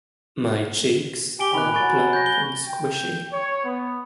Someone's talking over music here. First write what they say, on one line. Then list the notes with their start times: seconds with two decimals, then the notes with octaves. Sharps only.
My cheeks are plump and squishy.
1.39 G4 G#5 D7 G7
1.54 D#3 B5 C#6 F#6
1.74 F#3 G#5 C#6 A6
2.13 G6 A#6
2.26 G7
2.65 G5
3.31 C#5
3.63 B3